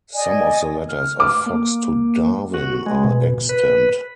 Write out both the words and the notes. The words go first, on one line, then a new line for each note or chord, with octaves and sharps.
Some of the letters of Fox to Darwin are extant.
D5 D#5 G#5
F6
D6
A#3
F#4
G#3
B2
B4